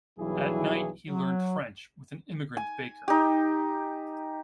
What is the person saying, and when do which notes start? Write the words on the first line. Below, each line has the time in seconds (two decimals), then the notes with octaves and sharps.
At night he learned French with an immigrant baker.
0.18 B1 G2 E3 F#3 E4 G#4
1.08 F#3
2.57 G#5
3.08 D#4 G4